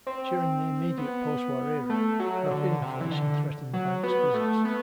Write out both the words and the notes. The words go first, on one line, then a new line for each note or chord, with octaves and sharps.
During the immediate postwar era, rapid inflation threatened the bank's business.
C4
B3
A3
F#3
D3
C3
E3
D3
F#3
B3
A3
B3